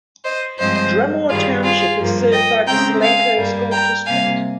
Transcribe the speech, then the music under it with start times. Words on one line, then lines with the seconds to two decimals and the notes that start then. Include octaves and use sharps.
Drumore Township is served by the Solanco School District.
0.25 C5 D#5
0.60 G2 F3 G#3 C4 C5 D#5
1.29 G2 D#3 G3 F4 G#4
1.64 F4 G#4
1.98 G2 F3 A#3
2.33 D#5 G5
2.68 C#3 G#3 C4 G5 A#5
3.02 F5 G#5
3.37 G2 G3 A#3
3.72 G5 A#5
4.06 C3 G3 A#3 F5 G#5